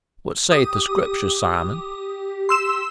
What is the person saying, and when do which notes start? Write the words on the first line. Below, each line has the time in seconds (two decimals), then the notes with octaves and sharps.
What saith the Scriptur', Simon?
0.52 G4 D#6
2.49 C6 E6 E7